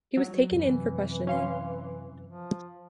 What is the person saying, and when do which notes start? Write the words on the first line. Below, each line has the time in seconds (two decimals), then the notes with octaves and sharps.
He was taken in for questioning.
0.17 F#3
0.51 F#2 C3 E3
1.27 C#4 F5 C6
2.25 F3